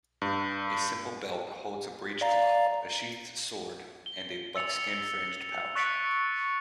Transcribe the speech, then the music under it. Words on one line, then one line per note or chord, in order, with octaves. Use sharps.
A simple belt holds a breech cloth, a sheathed sword, and a buckskin-fringed pouch.
G2
D5 F5 A#5
G7
E6 A6 C#7 F7
C#6 F#6 A6 B6 C#7 D7